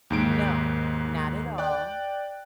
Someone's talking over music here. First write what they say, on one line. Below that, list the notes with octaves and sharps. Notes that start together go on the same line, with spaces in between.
No, not at all.
D#2 G#2 D7
D5 G5 F#6